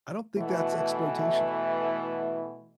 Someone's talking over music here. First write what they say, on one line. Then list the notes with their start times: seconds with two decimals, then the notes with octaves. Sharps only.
I don't think that's exploitation.
0.38 B2 E3 A3